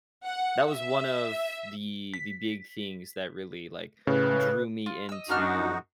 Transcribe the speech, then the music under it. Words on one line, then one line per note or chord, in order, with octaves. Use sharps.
that was one of the the big things that really, like, drew me into
F#5
E5
B6
A2 C#3 B4
F4
D#5 E6
F#2 A#3 D4 D#4 F#4 F6